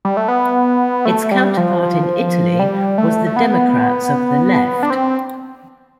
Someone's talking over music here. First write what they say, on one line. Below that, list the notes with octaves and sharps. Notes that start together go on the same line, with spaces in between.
Its counterpart in Italy was the Democrats of the Left.
G3
A3
B3
A3
G3
F3
F3
G3
A3
A3
B3
D4
C4